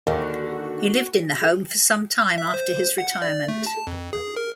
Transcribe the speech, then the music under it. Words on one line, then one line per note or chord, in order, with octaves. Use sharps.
He lived in the home for some time after his retirement.
D#2 D3 D#3 A#3 F#4 G#4 A#4
E5
C5
F#5
D5
A3
A5
F2
G#4
A#4